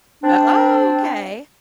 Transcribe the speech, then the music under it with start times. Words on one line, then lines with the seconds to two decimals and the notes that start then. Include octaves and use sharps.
Oh, okay,
0.23 C4 D4